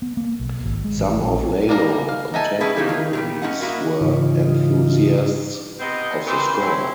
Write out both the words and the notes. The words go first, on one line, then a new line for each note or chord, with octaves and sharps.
Some of Lalo contemporaries were enthusiasts of the score.
B3
A#3
B1
G#1
G#3
A1
A#1
G3 A#3 A#4 D5 A#5
F5
D#4 E5 G#5 A5
G3 C#4 E4 G#4 B4
A#3 C#4 D#4 E4 G4
D#3 F4
A#2 F3 G3
C#4 E4 D#5 F#5
A#3 E4 F#4 A#4 D#5
G#2 C#3 E3 D#4 F4
C3 B3 C4 D#5
E3 C4 G4 A#4 C5
C4 C#4 E4